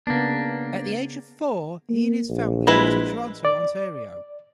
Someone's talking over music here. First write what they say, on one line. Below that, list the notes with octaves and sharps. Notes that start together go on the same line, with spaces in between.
At the age of four, he and his family moved to Toronto, Ontario.
C#3 A#3 B3 D4
A#3
A#1
G#3 E4 B4
D5